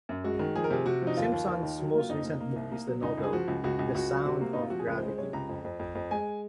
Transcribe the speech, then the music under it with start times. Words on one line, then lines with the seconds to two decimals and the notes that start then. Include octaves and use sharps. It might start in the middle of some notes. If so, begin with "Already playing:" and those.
Simpson's most recent book is the novel "The Sound of Gravity".
0.09 F#2
0.24 G#3 F#4
0.39 D#3
0.56 F3 G#4
0.64 A#4
0.71 C3 G#4
0.86 C3 F#4
1.02 F3 D#4
1.17 D#2 F4
1.32 D#2
1.47 D#2
1.63 D#3
1.79 F#3
1.94 A#3 F4
2.09 F2 D#4
2.25 A#3
2.40 A#3
2.56 C2
2.72 A#3
2.87 F#3
3.02 C#2 D#4
3.18 C#2
3.23 G#4
3.33 F3 F#4
3.48 C#2
3.64 C#2 F#4
3.79 C#2
3.94 C#2 F#4
4.10 F#3
4.25 C3 F#4
4.41 A#3
4.53 C3 D#4
4.62 F4
4.70 F3 F#4
4.79 G#4
4.87 C#2 A#4
4.97 C5
5.03 G#3
5.08 C5
5.18 C3 C#5
5.33 C#2 A#5
5.49 F2
5.64 F2
5.79 F2
5.95 F2
6.11 G#3 G#5